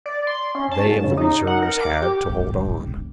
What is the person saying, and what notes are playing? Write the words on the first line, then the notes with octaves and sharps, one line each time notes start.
They of the reserves had to hold on.
D5
C6
C#4
A5
G#2
C#3
D#4
F#5
A#4
D6
G4
F#1 G#2
E2 A2
G2 A#2
C#2 B2
D#3 E3